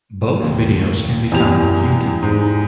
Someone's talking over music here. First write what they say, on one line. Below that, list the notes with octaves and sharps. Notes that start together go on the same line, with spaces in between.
Both videos can be found on YouTube.
D#2
E2 G4 F7
G#2